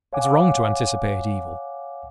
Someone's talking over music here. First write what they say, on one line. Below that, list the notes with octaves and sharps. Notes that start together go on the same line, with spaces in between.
'It's wrong to anticipate evil.
C#5 F5 F#5 G#5 D6